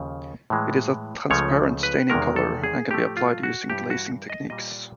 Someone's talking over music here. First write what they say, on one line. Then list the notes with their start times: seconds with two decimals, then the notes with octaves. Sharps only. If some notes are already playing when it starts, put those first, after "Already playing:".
It is a transparent staining color and can be applied using glazing techniques.
Already playing: D#2 C#3 F3
0.50 A2 E3 G#3
1.30 C#2 C#3 F3 A3 C#5
1.83 B4
2.10 E2 C3 D#3 G#3 A#4
2.36 A4
2.64 G#4
2.89 A2 F3 A3 G4
3.17 F4
3.43 F#4
3.70 G2 E3 G3 G4
3.90 F#4
4.30 D#5
4.50 A#2 G3 D#5
4.71 D5